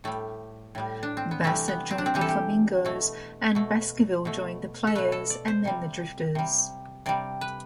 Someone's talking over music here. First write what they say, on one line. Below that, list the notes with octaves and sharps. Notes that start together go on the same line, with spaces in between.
Bassett joined The Flamingos and Baskerville joined The Players and then The Drifters.
A2 G3 A3
A2 G3
D4
C4
B3
C3 E3 G3 A3
B3
C4
D4
C4
C3 E3 G3 G4
A4
G4
B2 A3
B2 A3
B2 A3
A4
B2 A3 B4
A4
D5
C5
C3 G3
C3 G3
C3 G3 D5
B4